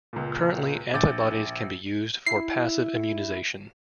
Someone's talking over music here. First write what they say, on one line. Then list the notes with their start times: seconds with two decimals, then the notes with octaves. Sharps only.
Currently, antibodies can be used for passive immunization.
0.13 C#2 A#2
0.94 A#1 D6 G6 A6
2.26 E4 C7